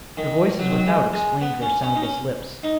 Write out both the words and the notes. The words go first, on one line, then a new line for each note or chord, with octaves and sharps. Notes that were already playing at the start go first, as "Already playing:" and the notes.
The voices without explained their soundless lips.
D#3
F#3
D#3
F#3
G#3
G#3
B3
C#4
C#4
D#4
C#4
D#4